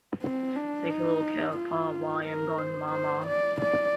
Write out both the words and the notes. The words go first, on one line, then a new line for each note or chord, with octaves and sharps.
Take a little care of Pa while I am gone, Mama!
C4
D4
D#4
F4
A#4
C5
C5
D5
D5